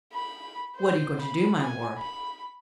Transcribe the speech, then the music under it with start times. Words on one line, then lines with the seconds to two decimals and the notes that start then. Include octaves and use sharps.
"What are you going to do, my lord?"
0.13 B5
0.76 C5
1.20 B5
1.63 G#5
1.97 B5